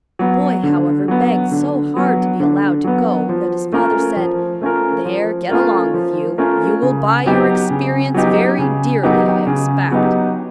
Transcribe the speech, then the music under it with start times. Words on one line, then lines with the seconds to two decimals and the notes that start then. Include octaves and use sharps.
The boy, however, begged so hard to be allowed to go that his father said: "There, get along with you; you will buy your experience very dearly, I expect."
0.19 F#3 B3
0.63 D3
1.08 F#3 B3
1.51 D3
1.96 F#3 B3
2.40 D3
2.84 F#3 B3
3.29 F3
3.72 A3 C#4 F4 A#4
4.16 F3
4.61 A3 C#4 F4 A#4
5.05 F3
5.49 A3 C#4 F4 A#4
5.94 F3
6.38 A3 C#4 F4 A#4
6.82 C#3
7.26 F#3 B3 D#4 G4
7.70 C#3
8.14 F#3 B3 D#4 G4
8.58 C#3
9.03 F#3 B3 D#4 G4
9.47 C#3
9.91 F#3 B3 D#4 G4